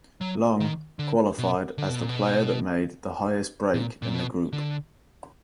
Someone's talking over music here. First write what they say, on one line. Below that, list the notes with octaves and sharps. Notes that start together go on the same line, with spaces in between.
Leung qualified as the player that made the highest break in the group.
F#3
D#3
D3
B2
D3
B2
A#2
B2
A#2
A#2
B2
D3